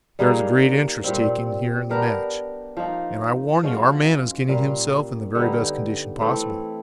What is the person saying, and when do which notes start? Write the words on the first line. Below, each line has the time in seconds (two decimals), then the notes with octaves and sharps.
There is a great interest taken here in the match, and I warn you our man is getting himself in the very best condition possible.
0.19 G3 A#3 D#4 G#4
1.04 A#2 G3 C4
1.90 B3 D4 G4 A#4
2.77 F3 A#3 D#4
3.63 F3 G#3 C#4 F#4
4.48 A#2 G3 A#3
5.35 D3 G3 B3 D#4
6.21 E3 A3 C4